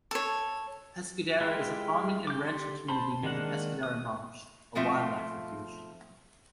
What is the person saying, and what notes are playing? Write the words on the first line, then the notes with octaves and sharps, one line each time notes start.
Pescadero is a farming and ranching community near the Pescadero Marsh, a wildlife refuge.
A4 C#5
G#3 E4 F4 G4
D6 G6
D3 G4 C6
C5 A5 B5 C6
D#3 G#3 A#3 D4 F#5
D#6
B2 F3 A3 C4 F4 E5